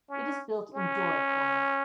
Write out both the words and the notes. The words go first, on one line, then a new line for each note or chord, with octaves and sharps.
It is built in Doric order.
C#4
C#4